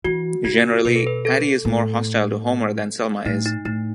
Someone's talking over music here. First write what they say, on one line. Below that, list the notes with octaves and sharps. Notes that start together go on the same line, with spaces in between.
Generally, Patty is more hostile to Homer than Selma is.
E3 F#4
C#3 F#4
B2 B4
A4
B4
A4
A2
A2 D#4
D#4
A2 D#4